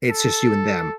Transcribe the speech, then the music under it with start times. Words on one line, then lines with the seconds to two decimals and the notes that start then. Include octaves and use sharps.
it's just you and them,
0.11 A4